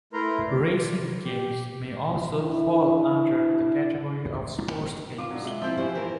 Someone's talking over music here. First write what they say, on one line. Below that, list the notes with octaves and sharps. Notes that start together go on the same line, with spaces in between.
Racing games may also fall under the category of sports games.
A3 E4 A#4 B4 A#5 C6
D5
G4
D4 E4
F4 D6
F#3 D4
G#3 E5 G7
F3 C4 E4 E5 G6
G2 C5 G#5
E3 A#4